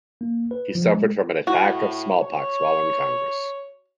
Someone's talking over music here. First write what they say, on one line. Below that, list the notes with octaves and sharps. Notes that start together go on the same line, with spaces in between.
He suffered from an attack of smallpox while in Congress.
A#3
B4
F3
G#3
A2 F#4
C#5